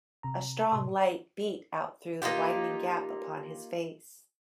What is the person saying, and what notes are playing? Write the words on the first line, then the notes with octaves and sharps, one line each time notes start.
A strong light beat out through the widening gap upon his face.
C3 A#5
A2 C3 D#6
A#3 D#4 F4 G4